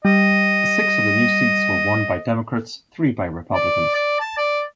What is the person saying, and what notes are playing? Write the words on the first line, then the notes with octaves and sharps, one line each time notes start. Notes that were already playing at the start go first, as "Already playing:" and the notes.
Six of the new seats were won by Democrats, three by Republicans.
G3 D#5
D5
D5
A5
D5